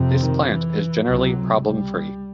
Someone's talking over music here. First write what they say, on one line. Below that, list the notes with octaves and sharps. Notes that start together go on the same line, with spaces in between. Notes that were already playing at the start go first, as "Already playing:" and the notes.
This plant is generally problem free.
Already playing: F2 C3
D#3
E3
C#2 C3 F#3
G3